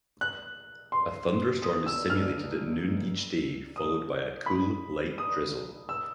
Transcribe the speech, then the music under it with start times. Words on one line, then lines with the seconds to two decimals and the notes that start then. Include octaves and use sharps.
A thunderstorm is simulated at noon each day, followed by a cool, light drizzle.
0.21 F#6
0.92 C6
1.62 D#6
1.86 E6
2.10 F6
3.76 D#6
4.46 B5
5.18 D#6
5.89 E6